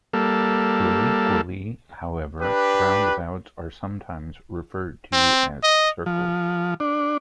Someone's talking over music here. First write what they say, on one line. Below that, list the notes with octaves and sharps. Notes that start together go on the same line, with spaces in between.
Colloquially, however, roundabouts are sometimes referred to as circles.
G3 A#3 A4
D4 G4 B4
C4
D#5
F3
D4